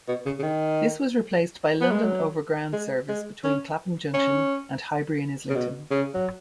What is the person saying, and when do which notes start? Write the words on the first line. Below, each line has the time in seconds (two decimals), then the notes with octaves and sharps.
This was replaced by London Overground's service between Clapham Junction and Highbury and Islington.
0.08 B2
0.26 C#3
0.39 C#3
0.43 D#3
1.81 B3
1.92 G#3
2.03 F#3
2.73 G#3
3.09 G#3
3.44 C#4
4.14 C#4
5.49 C#3
5.56 B2
5.91 C#3
6.14 F#3